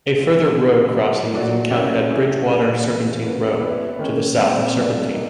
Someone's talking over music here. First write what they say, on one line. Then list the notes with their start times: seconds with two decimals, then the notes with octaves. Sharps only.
A further road crossing is encountered at Bridgewater-Serpentine Road, to the south of Serpentine.
0.18 C3 F3 G#3 C4
0.56 C#3 F#3 B3 D4
0.94 F#3 B3 D#4 F#4 A#4
1.32 F#3 A3 D4 F#4
1.70 F#3 A#3 C#4 E4 G4
2.08 A3 C#4 E4 G#4
2.47 A#2 G3 A#3 D4 F4
2.84 E3 G#3 C4
3.22 A#3 C#4 F#4 B4
3.60 B3 E4 G4 B4 D5
3.99 D#3 G#3 C#4
4.37 A#2 G3 C4
4.74 B2 F#3 A3 D4
5.13 A#3 D#4 G4